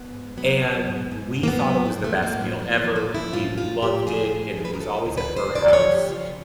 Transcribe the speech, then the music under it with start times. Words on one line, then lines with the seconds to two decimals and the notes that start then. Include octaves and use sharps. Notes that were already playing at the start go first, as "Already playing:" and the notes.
and we thought it was the best meal ever, we loved it, and it was always at her house,
Already playing: B3
0.13 G#2
0.37 F#3 B3
0.62 F#3
0.86 G#2
1.11 G#2
1.36 G#2
1.43 A#3
1.48 B3
1.61 F#3
1.85 F3 A#3
2.04 A3
2.10 F3
2.17 A3
2.22 A#3
2.34 A2
2.41 B3
2.59 F3 B3
2.78 A#3
2.84 F3
2.96 A#3
3.09 F3
3.15 E4
3.33 A2 F4
3.58 F3 F4
3.82 A2 G4
4.07 F3 G#4
4.32 A2
4.57 F3
4.65 B4
4.73 A#4
4.80 F3 A4
5.05 D2
5.17 B4
5.30 D2
5.36 C5
5.55 D2 D5
5.68 D5
5.73 C#5
5.79 F3
5.92 G4
6.05 C#3
6.10 F4
6.29 C#3